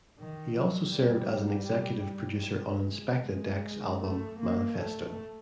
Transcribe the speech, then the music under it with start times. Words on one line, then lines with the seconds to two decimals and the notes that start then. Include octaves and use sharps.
He also served as executive producer on Inspectah Deck's album '"Manifesto".
0.19 D#3
0.57 F#3
0.95 G3
2.48 G#3
3.25 G#3
4.02 A3
4.41 A#3
4.79 A3